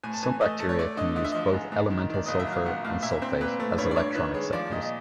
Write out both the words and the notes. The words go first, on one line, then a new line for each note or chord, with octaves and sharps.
Some bacteria can use both elemental sulfur and sulfate as electron acceptors.
A2 G#5
A5
E3 G#5
A3 D#5
A3
C#5
A3 D5
D3 D#5
D3 D#5
E5
F3 D#5
G#2
G#2
D#3
D#3 D5
A#1 D#5
E5
F#3
F5
A#1 F#5
A2 F5
A#2 E5
C4 C5
A#2 B4
A3
G2 C#5
D5
G2 C#5
D#3 B4
G#3 C#5
F3 D5
A#2 D#5
D#5